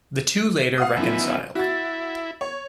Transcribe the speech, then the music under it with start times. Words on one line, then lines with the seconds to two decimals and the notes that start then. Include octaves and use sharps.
The two later reconciled.
0.78 F5 F#5 D#6
0.97 F#2 D#3 F3 B3 E4
1.55 E4 F#4 A6
2.41 C#5